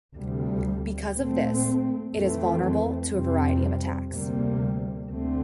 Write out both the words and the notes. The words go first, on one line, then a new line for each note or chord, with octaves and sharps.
Because of this, it is vulnerable to a variety of attacks.
D2 C3 G3
A#2 A3 C4
F2 E3 A3 C4
F2 C3 G3 C4
D2 C3 G3 A#3
D2 D3 A3 C4